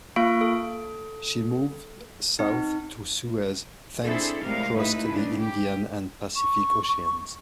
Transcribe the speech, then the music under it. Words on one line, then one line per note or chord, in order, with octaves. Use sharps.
She moved south to Suez, thence crossed the Indian and Pacific Oceans.
A#3 F4 F5 C#6 D7
A4
C4 D#4
C4 D4 E4 G#4 A4 C5
A2 C3 G3 G#3 A#4 F5
D#2 G#2 A3 D#4 E4 B4
C#3 G#3 D4
G4
C#6